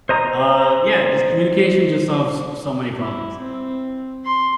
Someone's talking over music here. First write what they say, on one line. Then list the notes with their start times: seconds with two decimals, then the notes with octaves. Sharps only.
Uh, yeah, just communication just solves s so many problems.
0.09 C5 D#5 A#5 D#6
2.98 E4
3.39 C4
4.25 C6